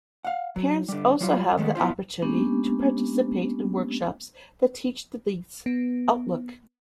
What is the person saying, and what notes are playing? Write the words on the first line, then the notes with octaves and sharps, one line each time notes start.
Parents also have the opportunity to participate in workshops that teach the leagues' outlook.
F5 F#5
F#3
D3 G3
F#3 G3 F4
D#3 G#3 A3 B3
B3 E4 F4 C5
G#3 A#3 B3 C#4 D4 G4
B3